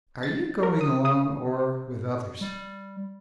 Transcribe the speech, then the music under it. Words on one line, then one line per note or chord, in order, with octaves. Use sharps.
"Are you going alone or with others?"
A6
A#4
D#6
D#6
G3